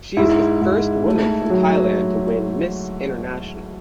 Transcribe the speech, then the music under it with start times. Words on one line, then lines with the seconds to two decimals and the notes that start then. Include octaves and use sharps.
She is the first woman from Thailand to win Miss International.
0.17 G#2 E4
0.61 G#2
1.06 A3
1.50 F#3